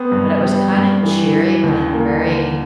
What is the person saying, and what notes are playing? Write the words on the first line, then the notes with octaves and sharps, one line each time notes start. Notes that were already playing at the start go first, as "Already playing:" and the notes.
but it was kind of cheery, but in a very,
Already playing: B3 C4
G2
G3
G2
E3
E3
D#2
A#3
D3